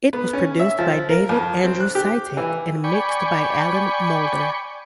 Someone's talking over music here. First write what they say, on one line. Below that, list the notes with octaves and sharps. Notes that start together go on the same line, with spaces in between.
It was produced by David Andrew Sitek and mixed by Alan Moulder.
B3
C#4
E5
F3
A#4
F2
C4
F#6
G4
E3
D5 G5 G#5 B5 C#6